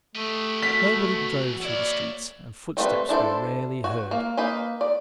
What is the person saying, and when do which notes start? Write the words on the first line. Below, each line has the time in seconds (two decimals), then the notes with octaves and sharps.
Nobody drove through the streets and footsteps were rarely heard.
0.15 A3 G4 D#5
0.63 B2 E3 F#4 B6
1.62 A#3 E4 C#5 D5
2.77 G3 A3 C4 B4
3.09 D4 E4 A4 C5
3.84 F#4
4.11 A#3
4.37 A#3 D#4 B4 B5
4.81 D5